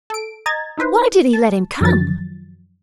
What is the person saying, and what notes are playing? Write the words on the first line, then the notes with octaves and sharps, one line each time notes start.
Why did he let him come?
A4 D7
D#5 A#5 G#6 A6
D#4 E4 B4 C5
A5
F#2 D#3 F3 F#3 A6